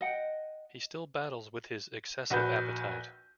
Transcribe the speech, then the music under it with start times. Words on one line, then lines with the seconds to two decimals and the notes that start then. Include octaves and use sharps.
He still battles with his excessive appetite.
0.01 D#5 F#5 G5
2.30 A#1 F#4 B4 G6